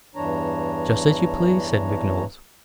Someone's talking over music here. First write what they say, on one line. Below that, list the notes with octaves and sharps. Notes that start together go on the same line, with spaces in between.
"Just as you please," said Vignolles.
E2 G2 E3 D4 C#5 A#5